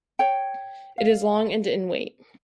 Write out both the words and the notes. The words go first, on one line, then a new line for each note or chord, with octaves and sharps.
It is long and in weight.
C#5 G5
F5